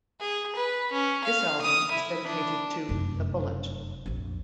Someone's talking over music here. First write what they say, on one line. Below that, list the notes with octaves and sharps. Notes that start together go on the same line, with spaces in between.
This Album is dedicated to "The Bullet".
G#4
B4
C#4
F5
D#6
E4
D4
F1 F#2
A#1 F2